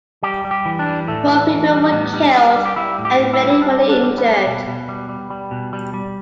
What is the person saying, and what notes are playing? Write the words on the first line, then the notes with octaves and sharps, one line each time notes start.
Four people were killed and many were injured.
G3 G4
G3
G4
E3
D4
G3
A2 A3
E3
E3
G3
A2 B3
G3
G3
G3
G4
G3 E4
A2
G4
A2
E4
G3
E4
G3 D4
G3
D4
G3
B3
G3
B2
B2
G3
G3
G3
B2
G3
G3